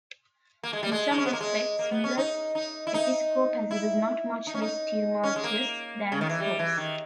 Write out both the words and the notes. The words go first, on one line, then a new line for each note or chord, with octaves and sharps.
In some respects, Miller's episcopacy was not much less tumultuous than Stough's.
A#3
G#3
G3
G#3
D#4
C#4
B3
A#3
G#3
A#3
B3
C#4
D#4
D#4
E4
D#4
E4
D#4
C#4
D#4
C#4
G#3
A#3
C#3
D#3
E3
G3
E3
D#3